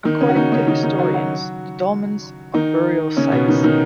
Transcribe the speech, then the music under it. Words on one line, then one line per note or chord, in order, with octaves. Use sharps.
According to historians, the dolmens are burial sites.
D#3 D#4
C#3 C#4
F#4
D#3 D#4
C#3 C#4
D#3 D#4
D#3 D#4
F#3 F#4
F#3 F#4
D#3 D#4
C#3 C#4
B2 B3
D#3 D#4
D#3 D#4